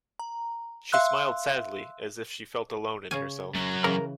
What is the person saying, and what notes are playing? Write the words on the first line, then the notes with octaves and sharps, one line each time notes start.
She smiled sadly, as if she felt alone in herself.
A#5
E5 F5 C6 E6 F#6
C#3 C#4 G#5
F#2 F#3
C#3 E3 A#4 A#5